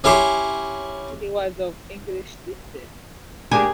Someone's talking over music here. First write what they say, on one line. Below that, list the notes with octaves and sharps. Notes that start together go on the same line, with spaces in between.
He was of English descent.
C#4 E4 G4 E5 C6
A#3 D4 G4 G#4